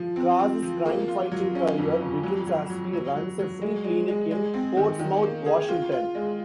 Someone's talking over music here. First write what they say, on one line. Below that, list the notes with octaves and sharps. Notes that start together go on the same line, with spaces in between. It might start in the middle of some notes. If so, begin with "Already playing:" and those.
Cross's crime-fighting career begins as he runs a free clinic in Portsmouth, Washington.
Already playing: F3
C4
C4
F3
A#3
F4
F#3
C#4
F2
F2
F#3
F#3
F#3
F#3
F#3
F#3
G#3
G#3
G#3
G#3
C4
D#3
D#3
A#3
G#4
F4
F4
G#3